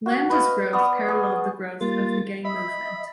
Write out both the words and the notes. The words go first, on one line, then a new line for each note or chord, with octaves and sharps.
Lambda's growth paralleled the growth of the gay movement.
F#4 F#5
B4 D#5 F5
B3 D5 C#6 D#6
G#4
G3 A#3 F4 A6
D#5 E5 B5